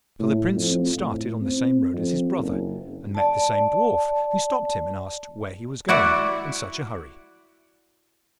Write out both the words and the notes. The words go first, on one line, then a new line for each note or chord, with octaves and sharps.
So the Prince started on the same road as his brother, and met the same Dwarf, who stopped him and asked where he was going in such a hurry.
A2
F2
A2
C4
F2
F#1
D5 A5
E4 F#4 D5 E5 F#5